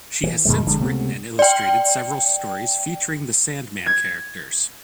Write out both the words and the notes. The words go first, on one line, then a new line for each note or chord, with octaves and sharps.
She has since written and illustrated several stories featuring the Sandman characters.
E3
F#2 B2 D#3 G#3
F1 D3 G#3
C#2 C3 A3 B3
D5 G5
G#6